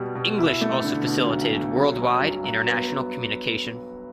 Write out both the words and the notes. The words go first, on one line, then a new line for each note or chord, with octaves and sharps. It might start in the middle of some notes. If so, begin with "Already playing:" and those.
English also facilitated worldwide international communication.
Already playing: B2 G3
B2
E4
A3
D3
B2
B1
B1
F#3
F#3
G2
F#3
B3